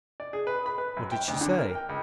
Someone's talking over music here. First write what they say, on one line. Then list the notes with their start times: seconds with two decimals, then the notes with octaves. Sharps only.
"What did she say?"
0.20 D5
0.33 G#4
0.47 B4
0.66 B5
0.78 B4
0.97 F#2
1.12 G5
1.28 D2
1.41 D3
1.58 A#4
1.75 G5
1.89 C#2